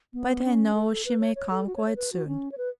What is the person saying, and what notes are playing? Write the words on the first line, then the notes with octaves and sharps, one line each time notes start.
But I know she may come quite soon.
B3
C#4
A4
B4
C#5
C#5
A4
F#4
C#5
C#5
B4
F#4
C#4
C#5
B4